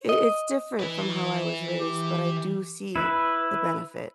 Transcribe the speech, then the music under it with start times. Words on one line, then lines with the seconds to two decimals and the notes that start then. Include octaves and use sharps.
it it's different from how I was raised, but I do see the benefit
0.09 D#5
0.79 E3 B4
1.80 G4
2.96 E4 B4